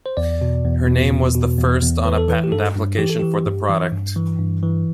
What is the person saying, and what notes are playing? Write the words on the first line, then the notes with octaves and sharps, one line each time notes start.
Her name was the first on a patent application for the product.
C5
E2 D5
B2
E2
B2
E2
B2
E2
E2
E3 B4
A4
E3 B4
G4
G2 A4
G2
E3 G4
A4
E3 G4
G2
E3
G2
E3
G2
E3